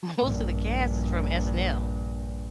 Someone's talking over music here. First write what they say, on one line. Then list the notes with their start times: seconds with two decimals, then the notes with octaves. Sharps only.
most of the cast is from SNL.
0.21 A#1 G2